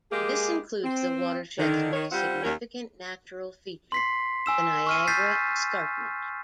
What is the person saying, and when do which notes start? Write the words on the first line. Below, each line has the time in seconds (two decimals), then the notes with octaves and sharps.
This includes the watershed's most significant natural feature, the Niagara Escarpment.
0.11 G#3 A#3 G4 G#4
0.83 C4
1.58 D3 D#3
1.93 D#3 C#5
2.11 G3 C4 F4 C5 F#5
2.43 D#2 C#4 A#4 C#5
3.92 C6 B6 C7
4.46 G#5 E6 E7
4.87 C#6 F6 D#7
5.08 G6 A6 B6 C7